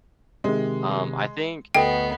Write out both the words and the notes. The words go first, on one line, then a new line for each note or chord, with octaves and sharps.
Um, I think
C3 D#3 G#3
D2 A3 B3 D#5 G5 C7